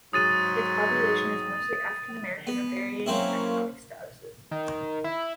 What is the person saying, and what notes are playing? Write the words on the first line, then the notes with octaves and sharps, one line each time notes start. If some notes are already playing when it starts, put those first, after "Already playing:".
Its population is mostly African American, of varying economic statuses.
G#2 F#3 D#6 A6 D#7
B3
F#3 A#3 C4 C#4 E4
D#3
E4